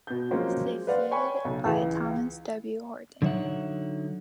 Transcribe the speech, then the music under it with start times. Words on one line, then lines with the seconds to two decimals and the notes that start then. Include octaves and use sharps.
He was succeeded by Thomas W. Horton.
0.07 B2 G6
0.31 F3 F#3 G#3 A#3 C4 C#4
0.87 B4 C5 D5 F5 F#5
1.11 C#5 G5 G#5 B5 C#6
1.45 B1 C#3
1.65 C#2 E3 G#4
3.22 D3 F#3 D#4 C#5 E5 F#5